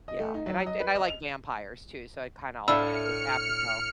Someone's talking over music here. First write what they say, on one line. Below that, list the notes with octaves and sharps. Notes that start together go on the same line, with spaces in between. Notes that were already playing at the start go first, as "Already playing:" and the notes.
yeah, and I j and I like vampires too, so it kinda all went, it was apropos.
D#5
A3
D#4
F#3
D#5
B4
D#5
F7
A2 D4 E5 F5 B5 E6 F6 C#7